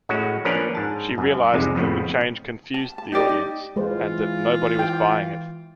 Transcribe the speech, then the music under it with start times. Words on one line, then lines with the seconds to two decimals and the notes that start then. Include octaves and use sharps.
She realized that the change confused the audience, and that "nobody was buying it".
0.09 A2 G#3 C#4 F#4
0.45 F3 A#3 C#4 D4 A#4 B4
0.75 G#2 A5
1.18 F#2
1.54 C2 F2 G#2 C3 G#3
1.75 F2 A2 C#3 F3 B3
2.74 A5
2.98 A5
3.12 D#4 G4 D5 D#5
3.29 D#4
3.76 E3 G#3 F4 B4 C5
4.79 G5